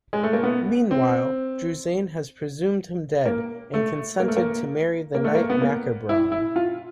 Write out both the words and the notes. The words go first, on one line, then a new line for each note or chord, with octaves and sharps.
Meanwhile, Druzane has presumed him dead and consented to marry the knight Macabron.
G#3
A3
A#3
B3
C4
A#3
A3
A#3
A3
A#3
A#3
A3
A#3
B3
A#3
E4
E4
F4